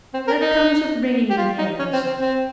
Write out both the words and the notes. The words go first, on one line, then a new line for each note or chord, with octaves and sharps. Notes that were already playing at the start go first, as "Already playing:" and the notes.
"That comes of bringing me here," he said.
C4
A#4
D#4
G4
F4
D#4
C#4
C4
C4
C4